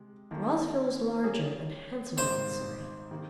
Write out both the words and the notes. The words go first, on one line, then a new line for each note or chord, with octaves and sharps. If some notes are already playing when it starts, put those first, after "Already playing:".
Rosville was larger and handsomer than Surrey.
Already playing: C3 G#3
F2 D#3 A#3
C3 G3 C#4 G#4
G#1 G#2 D#3 G3 A#3 C5
C3 D#3 A#3